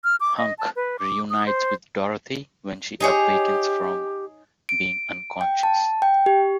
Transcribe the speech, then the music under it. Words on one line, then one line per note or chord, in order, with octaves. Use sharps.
Hunk reunites with Dorothy when she awakens from being unconscious.
F6
D6
D#5
A5
B4
D6
D#6
C5
D#4 G4 G#4 C#5
D7
G5
A5
G5
G4